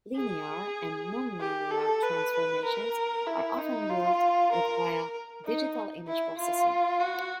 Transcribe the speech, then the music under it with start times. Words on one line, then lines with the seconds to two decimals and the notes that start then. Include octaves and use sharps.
Linear and nonlinear transformations are often dealt with via digital image processing.
0.16 G#4
1.40 G4
1.71 A4
2.03 B4
2.65 A#4
3.26 E4
3.58 D#4
3.89 F4
4.52 A#4
5.45 D#4
6.07 E4
6.38 F4
7.00 F#4